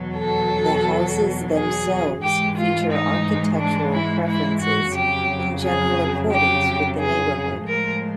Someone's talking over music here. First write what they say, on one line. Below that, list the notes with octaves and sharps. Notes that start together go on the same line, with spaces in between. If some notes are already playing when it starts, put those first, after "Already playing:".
The houses themselves feature architectural preferences in general accordance with the neighborhood.
Already playing: E2 B2 F#3
A4
G#4
G#2 E3 G#3 G4
F4
D#4
D4
E4
E4
F#4
F2 C#3 F#3 G4
G#4
G4
G#4
A2 F3 G#3 A#4